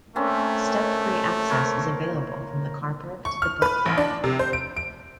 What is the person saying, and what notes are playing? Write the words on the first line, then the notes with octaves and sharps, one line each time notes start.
Step-free access is available from the car park to the platform.
A3 A#3 C4 C#4
A#4 C5 C#5
C#6
F6
B4
A1
D4
C3
C5
D7
D7